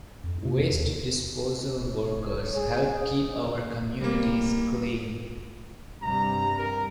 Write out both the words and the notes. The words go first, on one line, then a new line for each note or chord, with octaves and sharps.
Waste disposal workers help keep our communities clean.
F2
C3
D#2
C#5
G#4
G3 A#3
G2 C3 G3 A#5
A#4